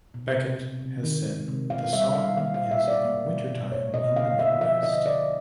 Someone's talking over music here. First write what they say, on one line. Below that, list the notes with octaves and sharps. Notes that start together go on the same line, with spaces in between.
Beckett has said the song is about winter time in the Midwest.
B2
C3
C3
C3
D#3
G#3
C3
B2 F5
G3 E5
G3 F5
A#3 F5
F5
B2
E5
A#3
D5
A#3
B2
B2
A#3 C#5
B2 D#5
A#3 F5
D3 E5
F3 E5
D3 D#5
D3 D5